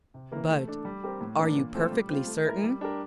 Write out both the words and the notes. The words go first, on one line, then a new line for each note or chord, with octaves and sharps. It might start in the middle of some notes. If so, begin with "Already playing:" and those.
"But are you perfectly certain?"
C3
E3 A#3 E4 A#4
A3
D4 A4
G3
C4 G4 A#4
A2
E3 A#3 D4
A#2
A3 C4 F4 A4
G3
C4 F4
A3
E4 A#4
G3
D4 G4 A#4